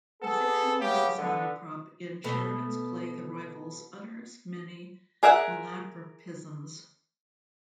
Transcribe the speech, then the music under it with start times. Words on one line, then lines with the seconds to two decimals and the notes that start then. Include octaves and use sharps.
The fictional Mrs. Malaprop in Sheridan's play "The Rivals" utters many malapropisms.
0.21 B3 G#4 A4
0.80 C#3 B3 G4
1.18 D3 B3
2.24 B2 A3 B3
5.23 G#4 A#4 E5 F#5